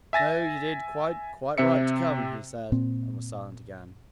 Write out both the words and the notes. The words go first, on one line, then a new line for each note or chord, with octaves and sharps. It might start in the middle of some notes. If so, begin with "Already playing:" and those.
"No, you did quite, quite right to come," he said, and was silent again.
E5 G#5 A6 A#6
C3 C4 E5 C#7
A#2 C4